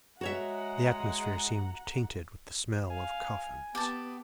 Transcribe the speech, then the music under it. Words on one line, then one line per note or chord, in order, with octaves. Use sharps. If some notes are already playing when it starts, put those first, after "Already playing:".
The atmosphere seemed tainted with the smell of coffins.
G#3 F#4 C#5 E5 F#5 A#5
F5 G#5
B3 G4 A5